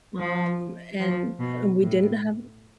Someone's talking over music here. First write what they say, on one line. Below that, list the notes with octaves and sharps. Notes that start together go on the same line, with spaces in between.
Um, and, uh, we didn't have
F3
F3
B2
A2